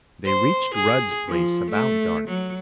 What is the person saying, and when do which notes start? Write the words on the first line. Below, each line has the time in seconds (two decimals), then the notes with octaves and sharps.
They reached Rudd's place about dark.
0.25 C5
0.75 G#4
1.28 F3
1.71 A3
2.28 F#3